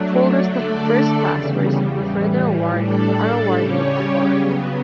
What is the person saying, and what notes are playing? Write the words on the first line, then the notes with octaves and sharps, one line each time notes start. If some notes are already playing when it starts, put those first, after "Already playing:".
Holders of the first class who receive a further award are awarded a bar.
Already playing: F#3 A3 D4
D3 A3 D4 A4 D5
E2 C#3 G3
A2 E3 G3
A2 G3 D4 A4 D5
C#3 G3 C#4 G4 C#5
C#3 F#3 B3